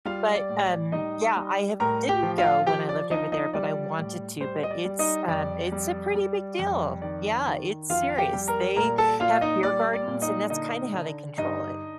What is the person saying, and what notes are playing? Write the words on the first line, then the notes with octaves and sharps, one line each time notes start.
But, um, yeah, I have didn't go when I lived over there, but I wanted to, but it's, um, it's a pretty big deal. Yeah, it's serious. They have beer gardens, and that's kinda how they control it.
G3 F4 F5
D5
A2
D5
G3 D#4 D#5
G3
A2 A#4 A#5
G4 G5
F3
F4 F5
F3 G4 G5
D5
F3 D#4 D#5
D#4 D#5
G3 D5
A2
G3 C5
D#5
D5
G3
D#4 D#5
F2 D5
G3
G3
F2
D#3 D5
D#3
F2 F4 F5
F5
G4 G5
G3
A#4 A#5
A#2 A#4 A#5
A4 A5
A#2 F4 F5
D#4 D#5
G3 D5
D5
A#2
D#4 D#5
D3 D#4 D#5
D3
G2 D#4 D#5